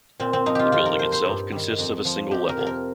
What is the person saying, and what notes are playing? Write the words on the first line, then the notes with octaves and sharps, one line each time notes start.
The building itself consists of a single level.
A#2 C4
C4
F3 D#4
F4 G4
F2 F4
A#4
F3 C5
C5
G2
D#3 G3
F2
F3
F2 G4
A#4
C3 F3
A#4